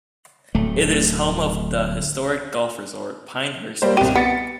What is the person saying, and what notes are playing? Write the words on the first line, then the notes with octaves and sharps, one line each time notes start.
It is home of the historic golf resort, Pinehurst Resort.
D1 A3
G3 A#3 C5
C2 G4 D#7
B3 A6 C#7 D7